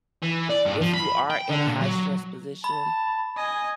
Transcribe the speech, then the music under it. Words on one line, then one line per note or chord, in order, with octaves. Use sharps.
if you are in a high stress position,
E3
D5
G2
F3
B5
G5
D3
A#2
F#3
A5 B5
D#5 G#5